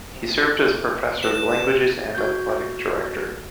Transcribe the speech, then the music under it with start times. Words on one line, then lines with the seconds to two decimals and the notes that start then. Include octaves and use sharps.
He served as Professor of Languages and athletic director.
0.15 C3
1.23 B4 F#6 E7
2.15 F#4 G6